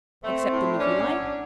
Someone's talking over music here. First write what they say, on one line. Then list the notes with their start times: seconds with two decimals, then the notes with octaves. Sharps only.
Accept them if you like.
0.24 A3 C4
0.51 A2
0.78 C#4 D4
1.05 F#3